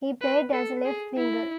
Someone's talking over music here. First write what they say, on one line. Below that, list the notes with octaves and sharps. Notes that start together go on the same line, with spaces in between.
He played as a left winger.
B4
A4
G#4
E4